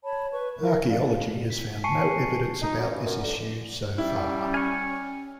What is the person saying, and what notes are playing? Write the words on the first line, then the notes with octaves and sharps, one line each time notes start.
Archeology has found no evidence about this issue, so far.
C#5 A5 B5
B4 C#6
E4 A#4
D5 F5
B6
G#5 A5 C#6 C7 C#7 D#7
D#4
F#2
G2
F#2
D3
G3 C#4 E4
G#5 C#6 F6